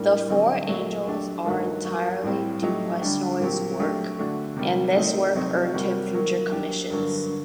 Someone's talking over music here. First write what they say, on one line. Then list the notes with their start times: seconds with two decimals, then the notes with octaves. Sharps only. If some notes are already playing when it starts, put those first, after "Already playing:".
The four angels are entirely Duquesnoy's work, and this work earned him future commissions.
Already playing: A2 G3 A#3 D4
0.28 D3 F#3 C4 D#4 G4
0.68 A#2 F#3 A3
1.06 F#3 A3 D4 G4
1.45 G2 D#3 A3 D#4 F#4
1.85 F#3 A#3 F#4
2.23 A2 G3 C4
2.63 F#3 A3 D#4 G4
3.02 D3 G3 D4 G4
3.40 A#2 F#3 C4 G4
3.79 F#3 A3 D4 G4
4.18 D3 A3 D4 F#4
4.57 C3 D#3 G3
4.96 D#3 A3 C4 D#4
5.35 C3 F#3 A3 C4 D#4
5.74 C3 G3 A#3 F#4
6.13 D#3 F#3 A#3
6.52 F#3 A#3 D4 G4
6.90 G2 D3 F#3 A#3 D4
7.30 D3